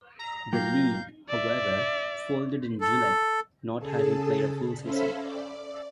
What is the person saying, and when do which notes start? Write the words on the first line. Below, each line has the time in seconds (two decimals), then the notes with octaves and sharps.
The league, however, folded in July, not having played a full season.
0.19 A#5
0.53 F#3 A#3 F4 F#4 F5 G5 G6
1.29 D5 E5
2.81 A4
3.78 C#3 G#4 A4 A5
4.81 C#4 A4 C5 E5 F5 B5
5.20 D5